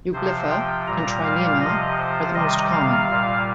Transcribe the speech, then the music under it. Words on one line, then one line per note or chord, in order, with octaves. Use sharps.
"Euglypha" and "Trinema" are the most common.
C3 F3 C5
G5
A#2 G3 A#5
F5
C3 F3 D#5
C5
C3 D#3 G3 D#5
F5
A#2 G3